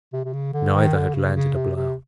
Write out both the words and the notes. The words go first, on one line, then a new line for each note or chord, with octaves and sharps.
Neither had landed a blow.
C3
C3
C#3
D3
D#3
D3
C#3
C#3
C3
C3